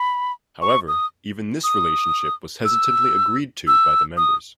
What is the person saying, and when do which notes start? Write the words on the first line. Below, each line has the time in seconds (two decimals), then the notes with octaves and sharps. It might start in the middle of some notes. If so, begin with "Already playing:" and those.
However, even this relationship was hesitantly agreed to by the members.
Already playing: B5
0.62 C#6
0.88 D#6
1.64 D#6
2.65 E6
3.67 E6
4.17 D#6